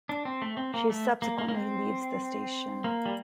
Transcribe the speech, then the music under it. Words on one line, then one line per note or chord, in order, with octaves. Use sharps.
She subsequently leaves the station.
D4
C4
A3
C4
A#3
A3
A#3
A#3
A#3
C4
A#3
G3